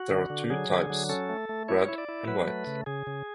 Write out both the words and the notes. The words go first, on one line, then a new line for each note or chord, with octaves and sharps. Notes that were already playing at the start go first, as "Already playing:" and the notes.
There are two types: red and white.
Already playing: F#4
D3
D3
F#3 G#4
D3
F#3
C#4 A4
A3
A3
E4 C#5
E4
D5
E4
F#3 B4
A3
C#3
C#3 G#4
C#3